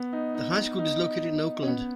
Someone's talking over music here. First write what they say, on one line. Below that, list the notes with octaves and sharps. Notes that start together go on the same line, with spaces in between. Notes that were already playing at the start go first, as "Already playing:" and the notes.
The high school is located in Oakland.
Already playing: B3
D#4
D#4
D#4
C#4
B3